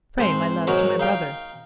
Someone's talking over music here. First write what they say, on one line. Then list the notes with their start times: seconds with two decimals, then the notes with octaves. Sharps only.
Pray my love to my brother.
0.18 G#2 C4 C6
0.67 G#2 F#3 D#4 A#4 C#5
0.99 D#4 F5 G5